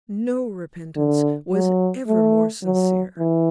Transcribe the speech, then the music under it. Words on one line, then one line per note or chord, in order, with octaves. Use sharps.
No repentance was ever more sincere.
D3
F#3
A3
F#3
E3